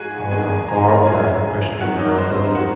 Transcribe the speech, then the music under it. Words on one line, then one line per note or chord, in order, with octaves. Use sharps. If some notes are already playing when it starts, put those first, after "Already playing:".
How far was I from questioning her unbelief!
Already playing: G#2 F3 G#3 F#4 G#4 F#5 G#5
F2 D#3 G#3 G#4 G#5
A#5
A#4 A#5
F#2 C#3 F3 G#3 G#4 G#5
F2 D#3 F#3 F#4 F#5
D#4 D#5
A#4
C5
C5
D#3 F#3 F#4 F#5